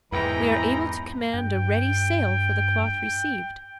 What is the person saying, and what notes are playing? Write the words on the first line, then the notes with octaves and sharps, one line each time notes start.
We are able to command a ready sale for the cloth received.
E2 G#2 E3 B4 G5 A#5
G2 G5